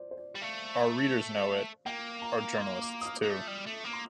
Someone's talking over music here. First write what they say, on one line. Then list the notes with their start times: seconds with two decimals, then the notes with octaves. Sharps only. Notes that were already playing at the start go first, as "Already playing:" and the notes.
Our readers know it, our journalists too.
Already playing: C5 D5
0.11 C5
0.17 D5
0.35 G3
0.41 A3 F5
1.86 A#3 G5
2.22 A#5
2.58 C6
2.82 D6
3.01 D#6
3.06 F6
3.23 A#3
3.30 A3 D#6
3.48 G3
3.66 A3
3.84 A#3
3.93 C6